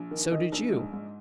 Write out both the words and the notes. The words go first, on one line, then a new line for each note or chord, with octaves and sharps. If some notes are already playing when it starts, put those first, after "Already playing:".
So did you.
Already playing: A#1
D#3
D#3 D#5
A#1
G#2
G#2